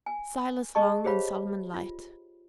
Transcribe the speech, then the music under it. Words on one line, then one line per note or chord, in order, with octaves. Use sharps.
Silas Long and Solomon Light.
G#5
G#4 D#5 A5 C#6
G4 G#4 C5 C#5 F5 B5
F4